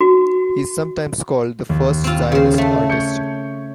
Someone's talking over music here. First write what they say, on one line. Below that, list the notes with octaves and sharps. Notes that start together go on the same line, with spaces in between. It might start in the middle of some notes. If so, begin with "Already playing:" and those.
He is sometimes called the first Zionist artist.
F#4
D#2
C4 F4
C#3 C5
A3
C#5 G6 C#7